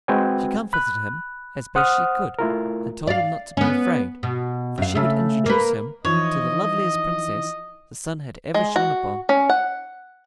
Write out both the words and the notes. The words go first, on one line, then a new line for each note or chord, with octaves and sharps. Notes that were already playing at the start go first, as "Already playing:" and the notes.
She comforted him as best she could, and told him not to be afraid, for she would introduce him to the loveliest Princess the sun had ever shone upon.
G#3 C4 F#4 B4 G5 G#5
B5 F#6
C5 F#5 D#6 F6
A3 E4 F4 A#4
D5 F5
B3 C#4
B2
F#2 F5
C#3 A3
A#3 B4
E3 F3 D#4 C#5 D#5
G#3
F#4
C#4
F#5